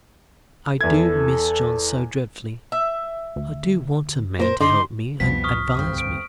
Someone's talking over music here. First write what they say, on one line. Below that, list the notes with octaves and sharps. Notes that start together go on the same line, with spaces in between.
"I do miss John so dreadfully; I do want a man to help me and advise me."
E2 E4 A4 G#6
E5
D2
A#2 A#4 C5
D3 D#4 D5 C6
C2 F2 B2 F3 G3 B3 B6
C#6 D#6 F6
D2 G2 C4
D7